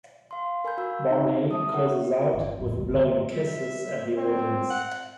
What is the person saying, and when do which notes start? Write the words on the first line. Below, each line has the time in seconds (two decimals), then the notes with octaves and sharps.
Barney closes out with blowing kisses at the audience.
0.31 F5 C6
0.65 A#4 G#5 B5 G6
0.78 F#4 F5 E6 G6
1.10 D#4
1.51 E5 A5 D#6
1.74 A#4 F#5
2.33 G1
2.60 F2 A2
2.76 G1 G#3
2.89 G2 D3
3.32 E5
4.17 C4 C#5
4.70 F#5